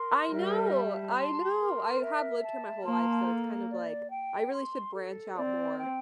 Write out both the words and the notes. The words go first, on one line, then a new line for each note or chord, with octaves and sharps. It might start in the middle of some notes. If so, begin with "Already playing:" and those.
I know, I know. I have lived here my whole life, so it's kind of like, I really should branch out more
Already playing: A#4 C6
G3 E5
A5
C6
A#4
E5
A5
A#3 C6
A4
D5
G5
C6
A4
C4 D5
G5